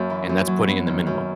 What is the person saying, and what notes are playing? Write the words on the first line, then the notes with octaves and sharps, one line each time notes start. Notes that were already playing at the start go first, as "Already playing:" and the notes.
And that's putting in the minimum.
Already playing: F#2 A#3
E3
F#2
F#3
B3
D#3
F#2